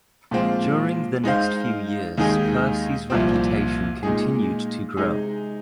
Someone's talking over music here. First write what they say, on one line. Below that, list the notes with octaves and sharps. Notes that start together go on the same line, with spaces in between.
During the next few years Percy's reputation continued to grow.
A#2 F3 G#3 C4 F4
G#3 D#4 C5 F5
D#2 D#3 G#3 D#4 G#4
C2 A#2 F3 C4
A#2 G#3 D#4 G#4
C3 G#3 D#4 G#4